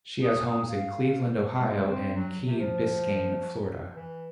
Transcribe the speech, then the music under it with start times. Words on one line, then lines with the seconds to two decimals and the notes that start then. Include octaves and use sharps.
She has homes in Cleveland, Ohio, and Key Biscayne, Florida.
0.23 D#6
0.50 D#6
0.68 F5
1.03 F5
1.59 G#3
1.87 C4
2.16 F#3
2.47 C3
2.59 F3
3.96 E3